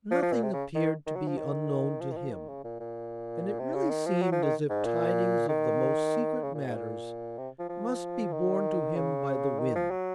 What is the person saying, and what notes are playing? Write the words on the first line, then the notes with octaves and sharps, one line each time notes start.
Nothing appeared to be unknown to him, and it really seemed as if tidings of the most secret matters must be borne to him by the winds.
F3
F3
A#2
C3
C#3
D#3
D#3
F#3
F3
D#3
F3
D#3
F3
D#3
C#3
A#2
A#2
C3
C#3
D#3
F3
F#3
F3
D#3
G#2
A#2
D#3
C#3
A#2
G#2
A#2
C3
F3
F3
D#3
C#3
D#3
F3
F#3